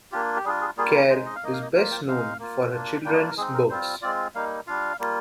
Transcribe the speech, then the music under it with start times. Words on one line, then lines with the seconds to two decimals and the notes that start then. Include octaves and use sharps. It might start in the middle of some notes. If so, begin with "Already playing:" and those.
Kerr is best known for her children's books.
0.12 A#3 D4 F4 G4
0.36 G4
0.45 G3 D4 F4 G#4
0.61 G#4
0.77 G3 A#3 F4 G#4
0.94 A#4
1.10 G#3 C5
1.14 D#4
1.26 D#5
1.35 F5
1.43 A#3 D#4 D#5
1.53 F5
1.62 D#5
1.74 A#3 F4 F5
1.92 G5
2.07 G#3 D#4 F5
2.39 A#3 F4
2.72 A#3 D4 F4
3.04 G3 A#3 D4 F4 G5
3.13 D#5
3.21 D5
3.29 A#4
3.37 G#3 C4 D#4 G#4
3.53 A#4
3.69 G3 C4 F4 C5
4.02 G#3 C4 F4 D5
4.35 G3 A#3 D#4 F5
4.67 G3 D4 F4 F5
4.99 G3 A#3 F4